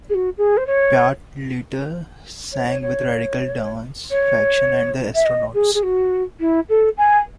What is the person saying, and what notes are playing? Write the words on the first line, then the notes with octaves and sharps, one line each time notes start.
Byatt later sang with Radical Dance Faction and The Astronauts.
G#4
F#4
G#4
C5
C#5
C#5
C#5
C#5
C#5
E5
D#5
G#4
G#4
F#4
E4
A4
G#5